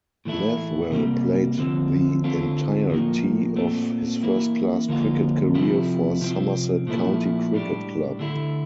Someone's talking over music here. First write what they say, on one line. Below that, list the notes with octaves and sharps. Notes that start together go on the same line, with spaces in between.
Lathwell played the entirety of his first-class cricket career for Somerset County Cricket Club.
A2 E3 A3 E4
C3 G3 A#3
D3 F3 C4
D3 A3 C4 F4
A2 F3 A#3
A#2 A3 C4
E3 A#3 E4
D3 F3 A#3 F4
C3 F3 A3 E4
C3 F3 C4
A#2 F3 A3 E4
A2 G3 D4
D3 A3 E4